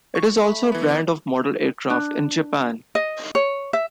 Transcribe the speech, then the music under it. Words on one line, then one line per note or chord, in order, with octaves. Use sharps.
It is also a brand of model aircraft in Japan.
C#6
A3 B5
E3 B3
D5
D4
D#5
C#5
E5